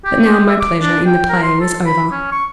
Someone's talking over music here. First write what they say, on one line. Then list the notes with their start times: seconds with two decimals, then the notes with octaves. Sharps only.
But now, my pleasure in the play was over.
0.05 G4
0.24 G4
0.47 E5
0.60 D6
0.81 D4
1.06 G5
1.29 A#4
1.43 C6
1.61 A4
1.86 B5
2.11 C#4
2.32 C#6